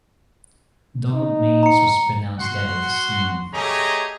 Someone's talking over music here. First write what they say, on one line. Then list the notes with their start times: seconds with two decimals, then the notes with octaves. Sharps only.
Donald Manes was pronounced dead at the scene.
1.14 D#4
1.63 A#5 C#7
2.39 F#4 F#5 C6
3.53 A3 G4 G#4 C#5 D#5 A#5